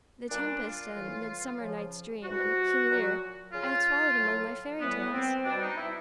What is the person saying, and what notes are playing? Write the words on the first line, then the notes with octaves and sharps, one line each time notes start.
"The Tempest," and "Midsummer Night's Dream," and "King Lear," I had swallowed among my fairy tales.
A#2 G3 D4
F4
A2 E3 G3
C#3 F3
C3 E3 G3 F#4
A#2 F#3
C#3 F3 F4
A2 F#3
A2 E3 G3 B3
C4
B2 G3 D4
D#4
E4